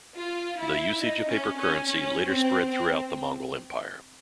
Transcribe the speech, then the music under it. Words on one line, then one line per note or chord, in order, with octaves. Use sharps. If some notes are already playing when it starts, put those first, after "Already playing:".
The usage of paper currency later spread throughout the Mongol Empire.
F4
E4
D#4
C#4
C#4
C#4
C4
C4